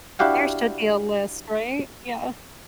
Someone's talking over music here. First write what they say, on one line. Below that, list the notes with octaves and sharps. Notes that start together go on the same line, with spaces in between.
There should be a list, right? Yeah.
D4 E4 F#4 G4 F5 F#5